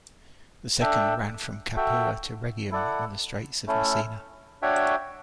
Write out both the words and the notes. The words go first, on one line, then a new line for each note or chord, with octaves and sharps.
The second ran from Capua to Rhegium on the Straits of Messina.
D4 A4 E5 G5
F#4 A4 E5 G5
E4 A4 D5 F#5
A3 C#4 E4 A4
D4 F#4 C#5 E5 G5